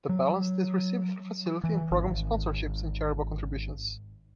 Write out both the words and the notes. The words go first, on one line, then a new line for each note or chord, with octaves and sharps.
The balance is received through facility and program sponsorships and charitable contributions.
F#3
E3
G#1